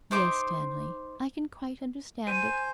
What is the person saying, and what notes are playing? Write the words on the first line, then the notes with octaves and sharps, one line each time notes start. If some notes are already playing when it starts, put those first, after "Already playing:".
'Yes, Stanley, I can quite understand it.
D#4 C5 D6
C5 G#5 D#7